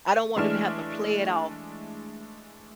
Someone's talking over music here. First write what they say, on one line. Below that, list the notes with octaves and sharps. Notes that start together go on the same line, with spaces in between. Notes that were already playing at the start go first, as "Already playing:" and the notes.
I don't want them to have to play it off
E3 G#3 A3 D4 F6 E7